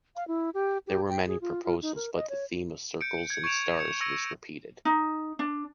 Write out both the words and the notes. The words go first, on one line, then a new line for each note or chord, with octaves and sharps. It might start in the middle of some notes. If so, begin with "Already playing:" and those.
There were many proposals, but the theme of circles and stars was repeated.
F5
E4
G4
G4
G5
G#4
F4
F4
D#4
A#4
D#5
C#5
G6 C#7 D7
G#6 C#7
C#6 G#6 C#7 D7 E7 F7
G#6 C#7
C#6 E6 G#6 A#6 C#7 D#7
D#4
D4